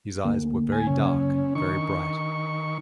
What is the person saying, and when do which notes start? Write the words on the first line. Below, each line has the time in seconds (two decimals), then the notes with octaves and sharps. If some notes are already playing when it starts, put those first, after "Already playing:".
His eyes were very dark, very bright.
0.25 D2 A#3
0.72 G#5
0.87 F#1 C#3 C#4
1.55 D#3 D4 C#6